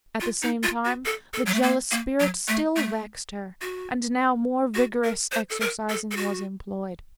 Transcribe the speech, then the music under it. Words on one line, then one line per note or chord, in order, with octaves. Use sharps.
At the same time, the jealous spirit still vexed her, and now more vigorous exorcising was employed.
F4
D#4
F4
F#4
A4
A4
F#3
A3
A#3
A#3
F#3
A3
A3
F#4
F#4
A#4
C5
A4
A#4
A4
A4
F#4